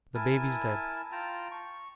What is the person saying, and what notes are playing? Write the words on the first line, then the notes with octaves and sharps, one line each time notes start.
The baby's dead.'
E4 A#4 G#5 A5
F4 G5 A5 A#5
C#6